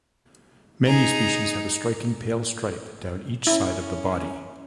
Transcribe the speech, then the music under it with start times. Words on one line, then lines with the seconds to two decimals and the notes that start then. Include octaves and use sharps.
Many species have a striking pale stripe down each side of the body.
0.85 D#4 G#4 A#5
3.47 C#4 E4